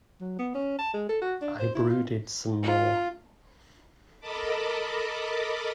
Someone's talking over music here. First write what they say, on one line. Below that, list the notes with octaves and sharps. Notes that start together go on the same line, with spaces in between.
I brooded some more.
F#3
B3
C#4
A5
G#3
A4
F#4
D4
C5
E4
F4
F4
A4 A#4 D#5 A5 B5 D6